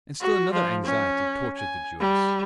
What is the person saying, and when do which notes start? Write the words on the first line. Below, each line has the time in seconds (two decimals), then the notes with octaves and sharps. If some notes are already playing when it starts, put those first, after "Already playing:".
And still another anxiety tortured the Jewess.
0.20 F#4
0.53 F3
0.84 C#4
1.56 G#5
2.00 G3